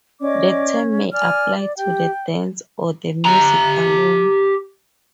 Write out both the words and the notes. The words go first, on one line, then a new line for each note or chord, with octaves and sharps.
The term may apply to the dance or the music alone.
C#4 D5 D#5 D6
D5 G#5 F6
G4 G5
G4 A#5